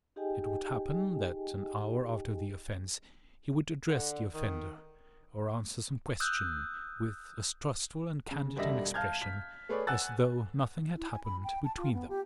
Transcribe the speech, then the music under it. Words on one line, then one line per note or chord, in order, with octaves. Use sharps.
It would happen that an hour after the offense he would address the offender or answer some question with as trustful and candid an expression as though nothing had happened between them.
D#4 G4 G#4 D#5 G5 G#5
D3
D#3
D#6 E6 F#6 G6
C#3
E1 D3 G3 D#5 E5 A#6
F5 A5 F6 G6 G#6
B6
A3 G#4 B4 C#5 D5
F#5 G#5 E6 F#6 A6
E4
G#5
B5
G5
A5
F4
B3
G4